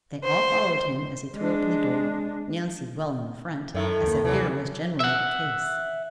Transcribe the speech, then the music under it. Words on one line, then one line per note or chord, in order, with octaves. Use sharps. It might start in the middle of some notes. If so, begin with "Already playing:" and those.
They all followed him as he threw open the door, Nancy well in the front, as I fear was generally the case.
C5
G#3 D4
F#2 A2 D#3 E5
D#2 A#3
C3 E3 F#3
E5 F#5